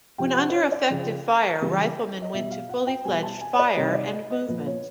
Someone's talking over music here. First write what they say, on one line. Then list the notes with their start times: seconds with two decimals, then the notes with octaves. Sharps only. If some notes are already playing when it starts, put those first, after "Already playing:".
When under effective fire, riflemen went to fully fledged "fire and movement".
0.18 C3 F3 G5
0.36 F#5
0.49 C5
0.54 C#5
0.72 D5
0.90 C#3 F3
1.61 C#3 E3 G3
2.22 D#5
2.33 B2 G3 E5
2.51 F5
2.69 F#5
2.87 G5
3.05 B2 G3 G#5
3.23 A5
3.41 G#5
3.53 C#5
3.59 D5
3.77 C3 D#3 G3 C#5
3.86 D#5
3.94 D5
4.13 D#5
4.30 D#5
4.48 A#2 F3 B4
4.66 C#5